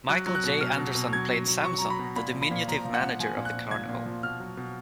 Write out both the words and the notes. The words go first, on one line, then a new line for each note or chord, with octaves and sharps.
Michael J. Anderson played Samson, the diminutive manager of the carnival.
F#3 F#6
F#3
F#6
B2
B2 F6
B2
B2
F#3 G#6
F#3
F#3
F#3 C#6
F#3 A#5
B5
B2
A#2 B5
F3
B5
A#2
F3 A#5
F3
F#5
F3
F3 G#5
A#2
F#6
A#2
F3 G#6
A#2
F3
B2 F6
F#3
B2